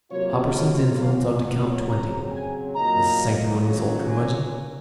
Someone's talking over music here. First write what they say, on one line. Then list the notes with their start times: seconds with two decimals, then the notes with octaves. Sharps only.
Hopperson's influence ought to count twenty . . . the sanctimonious old curmudgeon.
0.11 C3 F#3 A#3 F4 C#5
0.56 D#5
0.99 A#2 F#3 C#4 F5
1.43 F#5
1.87 C#3 F#3 C4 A#5
2.32 G#5
2.76 A#2 F#3 A#3 D#4 A#5
3.64 D#3 F#3 C#4 F4
4.08 G#5